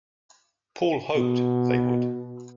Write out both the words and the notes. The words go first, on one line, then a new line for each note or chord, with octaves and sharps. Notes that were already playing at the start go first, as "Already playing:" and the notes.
Paul hoped they would.
B2